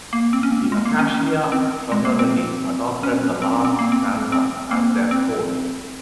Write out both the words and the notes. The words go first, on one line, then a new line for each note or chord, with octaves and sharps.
The Acacia Fraternity adopted the last stanza as their code.
A#3
C4
C#4
A#3
G#3
G#3
A#3
C#4
C4
G#3
A#3
C4
C#4
C4
C4
C#4
C4
A#3
C4
C4
A#3
C4